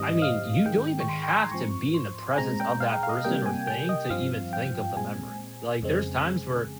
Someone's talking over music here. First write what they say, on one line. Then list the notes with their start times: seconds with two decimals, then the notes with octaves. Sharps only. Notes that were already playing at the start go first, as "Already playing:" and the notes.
I mean, you don't even have to be in the presence of that person or thing to even think of the memory, like, there's times where
Already playing: G#2 D#3 G3 C4 D#5
0.22 F5
0.65 G#2 D#3 G#3 G5
1.00 C#6
1.09 C6
1.23 G5
1.31 G#5
1.38 A#5
1.44 C6
1.51 G#2 F3 C4 C#6
1.94 C6
2.33 G#5
2.38 A#2 G#3 C4 A#5
2.60 G5
2.80 F5
3.03 F5
3.09 D#5
3.17 F5
3.25 C3 G3 A#3 G5
3.46 G#5
3.67 G5
3.89 D#5
4.10 G2 F3 C4 F5
4.53 G5
4.96 A#2 G#3 C4 G#5
5.82 F2 C#3 G#3 C4